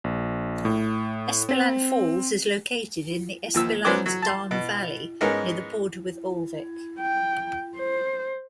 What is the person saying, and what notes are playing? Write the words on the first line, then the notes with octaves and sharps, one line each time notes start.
Espeland Falls is located in the Espelandsdalen valley near the border with Ulvik.
A#1
A2
C4
D#2 F3 E6
F#3 B3 C#4 C5 D5
F#3
A5 C6
B2
G#2 B3 C#4 D#4 A#4
G5
C5